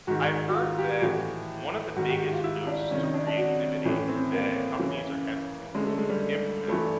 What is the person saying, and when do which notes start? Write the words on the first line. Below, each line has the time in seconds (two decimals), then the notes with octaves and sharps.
I've heard that one of the biggest boosts to creativity that companies are hesitant to implement
0.07 G#2 D#3 F#4
0.48 F#4
0.54 F4
0.78 G4
1.02 A2 E3 F#4
1.96 G#2 D#3 F#4
2.09 G4
2.20 F#4
2.33 F4
2.44 E4
2.67 D4
2.91 F2 C3 D#3 C#4
3.03 D#4
3.14 D4
3.27 D4
3.38 F#4
3.85 A2 E3 C#4
4.08 C4
4.33 A#3
4.79 F#2 C#3 E3
5.75 F#2 D3 G#3
5.86 A3
5.98 G#3
6.09 G3
6.68 G2 E3 A3